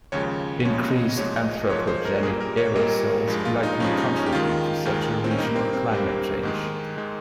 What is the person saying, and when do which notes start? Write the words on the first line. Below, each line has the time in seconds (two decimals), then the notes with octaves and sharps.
Increased anthropogenic aerosols likely contributed to such a regional climate change.
0.12 D#2 C#3 F3 G#3 C#5
0.65 D#2 C#3 F3 G#3 C#5
0.91 D#5
1.17 G#2 F3 G#3 C#5
1.44 D#5
1.70 G#2 F3 G#3 C#5
1.87 C5
2.05 A#4
2.23 A#2 G3 A#3 G#4
2.40 A#4
2.57 C#5
2.75 A#2 G3 A#3 D#5
3.27 G2 F3 G#3
3.45 F4
3.63 D#4
3.80 G2 F3 G#3 C#4
3.98 D#4
4.16 C#4
4.26 G4
4.32 D#2 D#3 G#3 F4
4.85 D#2 D#3 G#3
5.24 C4
5.31 C#4
5.38 G2 G3 A#3 D#4
5.56 C4
5.73 C4
5.91 G2 G3 A#3
6.43 G#2 D#3 G#3
6.97 D#3 G#3